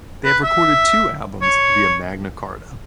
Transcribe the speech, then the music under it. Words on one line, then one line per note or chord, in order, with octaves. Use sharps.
They have recorded two albums via Magna Carta.
B4
E5
C#5